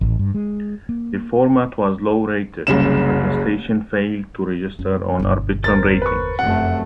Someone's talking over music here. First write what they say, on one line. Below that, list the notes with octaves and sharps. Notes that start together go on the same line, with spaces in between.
The format was low-rated, and the station failed to register on Arbitron ratings.
A1
G2
G#3
A#3
F#1 C2 C#3 E7
F#2 C#4
G1 B2
E2 A#4 C5 A6
B4 C#6
F1 F#2 A3 C4 F#5